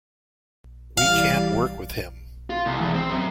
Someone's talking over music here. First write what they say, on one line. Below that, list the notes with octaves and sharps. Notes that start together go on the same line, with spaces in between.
We can't work with him.
E3 G3 D5 F5
F4
C2
E2
C4
F#2